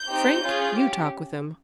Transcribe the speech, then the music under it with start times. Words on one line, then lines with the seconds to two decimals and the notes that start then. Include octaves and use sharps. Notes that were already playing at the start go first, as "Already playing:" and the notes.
Frank, you talk with him.
Already playing: G6
0.10 C4 D#4 G4
0.42 C#4 F4 G#4
0.77 C#4 G4